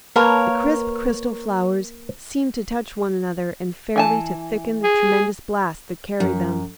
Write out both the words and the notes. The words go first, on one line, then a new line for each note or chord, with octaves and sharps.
The crisp crystal flowers seemed to touch one another and fairly to thicken the tremendous blast that carried them.
A#3 A#4 B4 C#5 A5
E3 G#5 A5
G#4
F#2